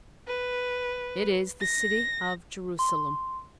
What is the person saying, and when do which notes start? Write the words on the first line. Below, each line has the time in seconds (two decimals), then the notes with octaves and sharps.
It is the city of Jerusalem.
0.28 B4
1.61 A#6
2.79 C6